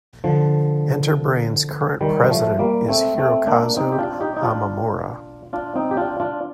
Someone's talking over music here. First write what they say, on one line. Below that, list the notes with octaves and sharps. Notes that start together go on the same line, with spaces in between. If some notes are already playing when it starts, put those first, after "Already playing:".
Enterbrain's current president is Hirokazu Hamamura.
D3 F3
D#3 G3
G3
F3 A3
G3 A#3
A3 C4
A3 C4
A#3 D4
C4 D#4
G4
D4 F4
D#4 G4
D#4
D4 F4
D4 F4
C4 D#4
G4
D4 F4
D4 F4